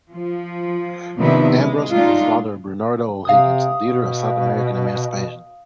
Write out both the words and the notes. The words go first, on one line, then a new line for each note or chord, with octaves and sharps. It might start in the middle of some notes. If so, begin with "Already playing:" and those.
Ambrose was father of Bernardo O'Higgins, leader of South American emancipation.
F3
C3 D#3 F3 B3 D4 E4
G#3
G#3 D4 D#4 F4
C3 F5 D#6
B2